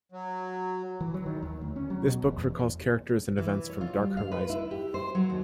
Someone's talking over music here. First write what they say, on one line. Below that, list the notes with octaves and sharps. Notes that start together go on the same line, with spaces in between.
This book recalls characters and events from "Dark Horizon".
F#3
E3
F#3
D#3
D#2
D2
C#4
F#3
B2
E1
E2
E3
C#5
F4
G3
F5
B4
E4
G4
C5
F#3
D#2